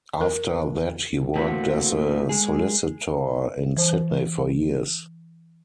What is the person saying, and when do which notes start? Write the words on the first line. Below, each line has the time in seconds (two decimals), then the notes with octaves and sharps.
After that he worked as a solicitor in Sydney for years.
0.21 A#4
1.35 A2 D3 A3 A#3 C4 F#4
2.29 G#3 G#4
3.77 E3 C5